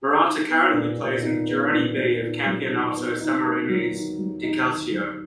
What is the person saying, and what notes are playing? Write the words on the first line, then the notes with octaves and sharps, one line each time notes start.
Murata currently plays in "Girone B" of Campionato Sammarinese di Calcio.
D#4
B3
A#2
A#2
D#4
B3
A#2
A#2
D#4
F#3
D#4
B3
D#4
A#3
F#3
D#4
F#3
D#4
D#4
F#3